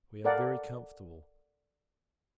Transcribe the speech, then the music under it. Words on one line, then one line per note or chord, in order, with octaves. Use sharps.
We are very comfortable.
A4 A#4 D5 F5 F#5